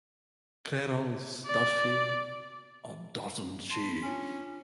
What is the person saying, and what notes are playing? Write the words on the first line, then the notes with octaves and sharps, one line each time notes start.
Clairol's Does she...or doesn't she?
D5
A5 C6
B3
C#4 D4 F4 C#5